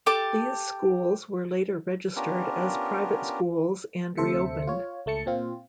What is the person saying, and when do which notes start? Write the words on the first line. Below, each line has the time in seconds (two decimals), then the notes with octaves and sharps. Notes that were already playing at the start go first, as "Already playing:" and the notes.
These schools were later registered as private schools and reopened.
0.06 G4 A4 A5 D6
2.16 B3 C#4 D4 F4 G4 A#4
4.17 D2 C3 A4 C5 E5 C#7
4.67 F4 C#5
5.06 C#2 A3 A5 C#7
5.26 A#2 C4 F4